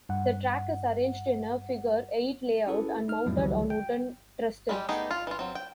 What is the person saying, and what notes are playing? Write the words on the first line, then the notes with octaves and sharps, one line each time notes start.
The track is arranged in a figure-eight layout and mounted on wooden trestles.
G2 F#5
C#4 E4 F#4 G#4 A4 B4
D#4 F6
F2 A2 F#3 G3 C4
C#2 D3 E3 F#3 G3
G5
G3 G#3 G4
A3 B3 D#4 G4 G#4
F4
E3 F4
F#3 C4
G5